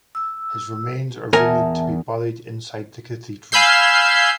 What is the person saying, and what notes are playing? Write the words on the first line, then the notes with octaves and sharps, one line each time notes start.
His remains are rumoured to be buried inside the cathedral.
E6
E2 A#4 E5 G#5 A5
F5 G#5 B5 E6 G6 C7